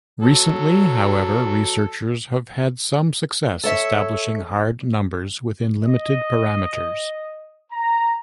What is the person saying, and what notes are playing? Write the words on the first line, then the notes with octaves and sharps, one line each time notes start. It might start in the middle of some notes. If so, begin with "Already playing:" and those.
Recently, however, researchers have had some success establishing hard numbers within limited parameters.
F#3 A4
A4 C#5 E5
D#5
A#5